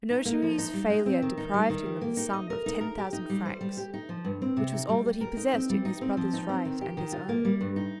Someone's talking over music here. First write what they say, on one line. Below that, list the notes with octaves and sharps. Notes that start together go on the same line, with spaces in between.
A notary's failure deprived him of the sum of ten thousand francs, which was all that he possessed in his brother's right and his own.
D#4
A#3
F3
D#4
G3
D#4
C4
D#3
D#4
G3
D#3
G4
A#3
D#4
D#5
A#4
D#4
A#4
G4
D#4
G3
C5
G3
G4
D#4
F3
G2
C4
C3
D#4
G3
G3
A#4
D#4
C4
G3
D#4
C4
F3
D#4
C4
D#3
G4
D#3
F4
A#3
G3
G2
D#4